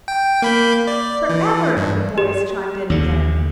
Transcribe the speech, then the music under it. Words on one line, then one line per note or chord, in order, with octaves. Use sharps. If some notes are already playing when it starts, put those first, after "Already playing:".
"For ever!" the boys chimed in again.
G5
A#3 B5 G6
D5
E3
G2
G4
D#2 D3